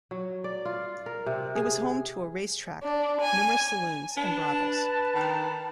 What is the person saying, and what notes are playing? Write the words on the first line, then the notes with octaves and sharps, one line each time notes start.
It was home to a racetrack, numerous saloons, and brothels.
F#3
D5
F4
A#4
C3
G#4
D4
G#5
D4 B4 A5
D#3